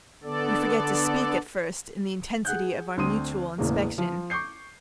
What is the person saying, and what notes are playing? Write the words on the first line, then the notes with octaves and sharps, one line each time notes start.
We forget to speak at first in the intensity of our mutual inspection.
D3 B3 A4 D5
G#4 F#5 F#6 G6
D2 C4 C6 D#6 D#7
E1 E2 A2 C#3 A#3
F3
C#6 D6 G6 C7